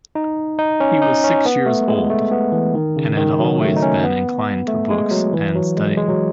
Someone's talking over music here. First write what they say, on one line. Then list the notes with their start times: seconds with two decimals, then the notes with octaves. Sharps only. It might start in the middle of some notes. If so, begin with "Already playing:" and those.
He was six years old, and had always been inclined to books and studying.
0.15 D#4
0.59 D#4
0.80 C#4
1.02 D#4
1.24 C#4
1.46 B3
1.66 A3
1.88 G#3
2.10 A3
2.32 B3
2.52 E3
2.75 D#3
2.96 C#3
3.17 D#3
3.40 F#3
3.60 A3
3.76 D#4
3.82 C#4
4.04 B3
4.68 A3
4.90 G#3
5.11 F#3
5.33 E3
5.55 F#3
5.77 G#3
5.97 G#3
6.09 F#3